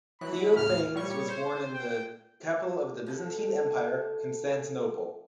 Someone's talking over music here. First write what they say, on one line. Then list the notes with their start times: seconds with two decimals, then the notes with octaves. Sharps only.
Theophanes was born in the capital of the Byzantine Empire, Constantinople.
0.21 E3 F#3 B5 F#6
0.57 D#2 A2 C#3 F6
0.94 A#2 G3 C#5 C#6
1.28 C5
1.73 G5
3.07 B2 D3 A3 A4